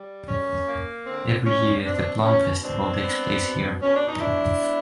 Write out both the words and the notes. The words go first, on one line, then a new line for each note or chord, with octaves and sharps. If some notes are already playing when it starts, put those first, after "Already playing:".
Every year, the "Plum Festival" takes place here.
Already playing: G3
F#2 C#4
A#3
D3 C4
G3 C#4
B2 C4 D4
B2 C#4
G#3 C4 D4
B3
B2
B2 C#4
D4
D#4
G#3 D4 E4
B3